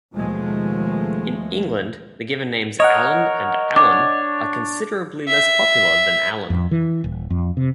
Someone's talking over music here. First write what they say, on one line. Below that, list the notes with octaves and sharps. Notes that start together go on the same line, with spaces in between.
In England, the given names "Allan" and "Allen" are considerably less popular than "Alan".
D#2 B2 F3 G#3 A3
A#4 C#5 D#5 F#5
D4 C#5 D6
E5
F2
E3
D#1
F2
C3